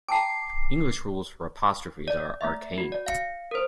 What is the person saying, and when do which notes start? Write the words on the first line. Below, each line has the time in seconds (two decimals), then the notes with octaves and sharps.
English rules for apostrophes are arcane.
0.08 G5 A5 A#5 D6 C7
2.08 D5
2.41 A3 E5
2.78 F#4
2.92 D5
3.07 F5 C#7
3.51 A#4 C5